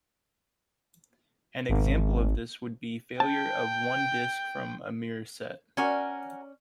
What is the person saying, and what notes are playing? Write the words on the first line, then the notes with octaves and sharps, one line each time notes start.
An example of this would be failure of one disk from a mirror set.
G#1
G5 A5
C#4 F#4 A#4 D5 G#5